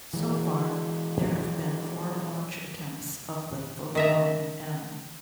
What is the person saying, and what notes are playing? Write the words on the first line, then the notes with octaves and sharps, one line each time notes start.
So far, there have been four launch attempts of the Foton-M.
E3 G#3
D#3 E5 A#5